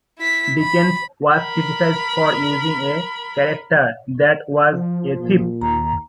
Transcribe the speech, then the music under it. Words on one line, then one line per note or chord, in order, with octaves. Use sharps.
Dickens was criticized for using a character that was a thief.
E4 B6
B5
A#4 B5
F3
A#2
D#2 A#5